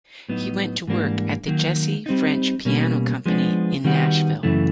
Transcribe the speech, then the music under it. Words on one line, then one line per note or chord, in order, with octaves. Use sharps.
He went to work at the Jesse French Piano Company in Nashville.
A2 F#3 B3 D#4
G#2 E3 G3 A#3 D4
D#3 F#3 A#3
G3 C4 D#4
B2 G3 A#3 C#4
F3 G#3 B3 D4
D#3 G3 B3 D#4 F#4
F#2 C#3 E3 A3